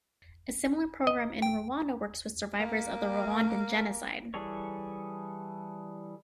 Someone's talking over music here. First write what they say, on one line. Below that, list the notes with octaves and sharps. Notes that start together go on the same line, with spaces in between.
A similar program in Rwanda works with survivors of the Rwandan genocide.
D#5
G5
A#3
E3 G3 G#4 A4 C#5